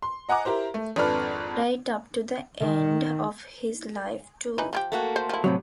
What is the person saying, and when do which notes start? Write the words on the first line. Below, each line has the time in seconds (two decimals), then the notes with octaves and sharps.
Right up to the end of his life too.
0.02 C6
0.29 D#5 F#5 G#5 A#5 D6
0.45 E4 G4 A#4 C5
0.74 A3
0.96 G#1 F2 D4 A4 B4 F6
2.60 D#3
4.58 E3 D#4 B4
4.73 F3 E4 G4
4.92 A3 A#3 F#4
5.16 C5
5.29 F3 E4
5.44 A2 C3 F#3